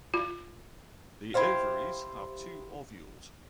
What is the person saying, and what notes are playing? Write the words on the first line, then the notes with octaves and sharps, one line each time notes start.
The ovaries have two ovules.
F4
E4 G4 C5 F5